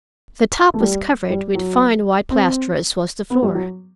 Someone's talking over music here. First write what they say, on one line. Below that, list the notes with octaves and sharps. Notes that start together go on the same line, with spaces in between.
The top was covered with fine white plaster, as was the floor.
A3
G3
G3
F#3
C4
B3
G3
F#3